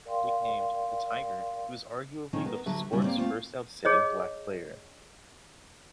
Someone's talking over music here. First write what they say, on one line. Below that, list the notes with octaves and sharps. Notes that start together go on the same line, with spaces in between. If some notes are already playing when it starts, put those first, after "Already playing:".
Nicknamed "The Tiger", he was arguably the sport's first outstanding black player.
A#4 D5 F5 G5 C6
D#3 F3 C4 C#4 D#4
B3 A#4
D3 F#3 F#4 A4 E5
F#2 C#3 G3 C#4 D#4 E4
A#3 C4 D5
A3 C4 F4
G#4 C#5 D#5